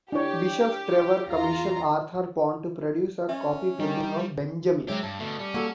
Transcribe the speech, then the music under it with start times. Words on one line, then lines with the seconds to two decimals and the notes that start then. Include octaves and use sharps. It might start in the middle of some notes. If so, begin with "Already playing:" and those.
Bishop Trevor commissioned Arthur Pond to produce a copy painting of "Benjamin".
0.12 D4 E4 G4 C#5
1.27 E2 F4 A#5
3.29 C#4 C#5 D#5 E5
3.80 D#3 G3
4.88 F#3 G#3 C4 G4 C#5 E5
5.03 G2 A5
5.19 B2 D3 A3
5.39 G3 C#4
5.54 A#3 F#4 A4